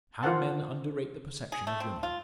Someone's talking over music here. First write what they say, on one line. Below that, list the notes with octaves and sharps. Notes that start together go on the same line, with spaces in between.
How men underrate the perception of women!
F4 A#4 C5 F#5 A5
G#4
A3
C4
F4